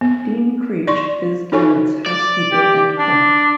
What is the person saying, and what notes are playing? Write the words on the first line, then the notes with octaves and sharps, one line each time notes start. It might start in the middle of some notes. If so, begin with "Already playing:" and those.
Dean Creech is Garrett's housekeeper and cook.
B3
D5 C6 C#6
D#4 F#4 A4 C#5 G#5 C#6
D5
G4
D4